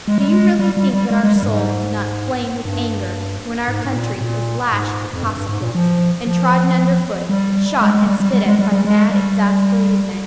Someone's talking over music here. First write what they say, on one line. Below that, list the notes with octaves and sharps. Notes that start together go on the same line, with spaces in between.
Do you really think that our souls do not flame with anger when our country is lashed with Cossack-whips, and trodden under foot, shot and spit at by mad, exasperated men?
G#3
G3
G#3
G3
G3
G3
G#3
G#3
G3
G2
G#2
G2
G#2
G#2
A#2
A#2
G#2
F2
G2
G2
G#2
A#2
F3
F3
G3
G#3
G#3
G3
G3
G3
G#3
G3
G3
G#3
G3